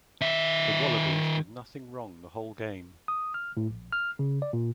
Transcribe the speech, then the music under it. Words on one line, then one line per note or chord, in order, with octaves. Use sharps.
The Wallabies did nothing wrong the whole game...
D#3 E5
D#6
F6
A2
A#1
F6
C#3
D5
A#2